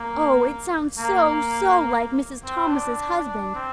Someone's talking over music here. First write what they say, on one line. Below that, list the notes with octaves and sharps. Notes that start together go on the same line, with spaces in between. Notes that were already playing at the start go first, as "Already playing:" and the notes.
Oh, it sounds so--so--like Mrs. Thomas's husband!
Already playing: A#3
A#3
C4
D4
D4
D4
C4